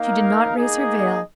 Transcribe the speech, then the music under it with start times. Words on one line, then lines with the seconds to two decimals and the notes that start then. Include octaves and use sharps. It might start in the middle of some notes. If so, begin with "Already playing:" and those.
She did not raise her veil.
Already playing: A#3 D#4 A#4 F5
0.54 A#3 D#4 G#4 D#5